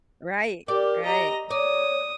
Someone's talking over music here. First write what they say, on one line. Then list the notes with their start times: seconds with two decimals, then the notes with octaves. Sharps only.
Right, right.
0.68 G4 A#4 D5
1.06 G4 D#5 A#5
1.51 C#5 D5 D#6